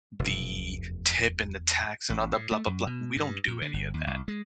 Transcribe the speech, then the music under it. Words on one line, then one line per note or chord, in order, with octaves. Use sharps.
the tip and the tax and all the blah, blah, blah" We don't do any of that,
F1 F#2 B2
D2
E2
A1
A2
A3
F#2
B2
G2
A#2
D3
G1
D#2
C2
G#3